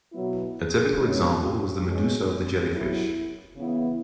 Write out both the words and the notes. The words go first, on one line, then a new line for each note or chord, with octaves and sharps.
A typical example was the medusa of the jellyfish.
B2 F#3 B3 E4
B2 G#3 C#4 E4
B2 G#3 C#4
F#2 F#3 B3 E4
C#3 E3 B3 E4